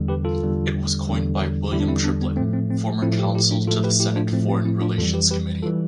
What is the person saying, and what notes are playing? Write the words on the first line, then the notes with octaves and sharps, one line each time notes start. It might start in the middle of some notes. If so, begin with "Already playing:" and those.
It was coined by William Triplett, former counsel to the Senate Foreign Relations Committee.
Already playing: E2 D3 G3
G4 B4
F4 A4
E2 D3 G3
E2 D3 G3
E2 D3 G3 E4 G4
D4
C4 E4
B3 D4
B3
A2 F3 A3 C4
C4
C4
A2 F3 A3 C4 E4
E4 G4
E4 G4
D4 F4
A2 F3 A3 F4 A4
G4 B4
E4 G4
D4 F4
A2 F3 A3 C4
C4
C4 E4
D4 F4
F2 E3 G3 F4 A4
G4 B4
G4 B4
E3 G3 F4 A4